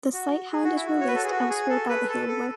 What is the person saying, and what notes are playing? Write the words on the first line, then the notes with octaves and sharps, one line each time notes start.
The sighthound is released elsewhere by the handler.
F#4
G#4
F#4
E4
F#4
C#5
B4
A4
G#4
F#4
G#4
A4
B4
A4
A4